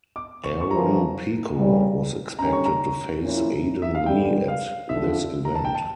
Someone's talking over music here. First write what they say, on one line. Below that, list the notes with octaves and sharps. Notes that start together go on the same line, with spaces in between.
Aaron Pico was expected to face Aiden Lee at this event.
D6
C#6
C#6
E2 D3 F3 A#5
E2 C#3 G3
D3 G3 C#4 A#5
C#6
A#5
A#2 F3 C#4 E4
E5
F5
E2 D3 G3 G5
F5
F2 D3 F3 E5
A#5
A5
G5
A5